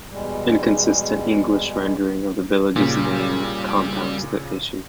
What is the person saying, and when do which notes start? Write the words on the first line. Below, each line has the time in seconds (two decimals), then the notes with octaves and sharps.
Inconsistent English rendering of the village's name compounds the issue.
0.11 E2 B2 G3 G#3
2.76 A#2 C#3 G3